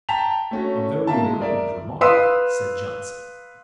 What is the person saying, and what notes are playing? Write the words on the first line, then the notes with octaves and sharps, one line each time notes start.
"A very rude remark," said Johnson.
G5 A5 A#5 B6 F7
A3 C#4 F#4
A#3 E5 A5
G#3
A#4 D5 E5
B4 F5 C6 D#6 E6 B6